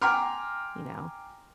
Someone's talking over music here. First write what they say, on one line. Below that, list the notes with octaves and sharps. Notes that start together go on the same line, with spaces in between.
you know?
G5 G#5 A#5 C6 D6 F6